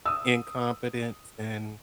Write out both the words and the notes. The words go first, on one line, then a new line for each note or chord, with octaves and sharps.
incompetence and
D#6 E6